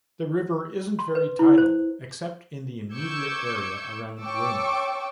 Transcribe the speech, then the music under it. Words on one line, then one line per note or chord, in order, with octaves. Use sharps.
The river isn't very tidal except in the immediate area around Weymouth.
C6
B4
E4
C5
C#6 D6 E6 G6 G#6 C#7
C#5 G5 A5 C#6 D6 E6